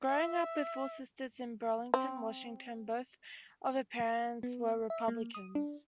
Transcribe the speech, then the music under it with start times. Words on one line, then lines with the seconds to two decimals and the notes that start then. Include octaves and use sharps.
Growing up with four sisters in Burlington, Washington, both of her parents were Republicans.
0.08 E5
1.94 C4
4.43 B3
4.90 E5
5.08 A#3
5.34 D#6
5.55 D4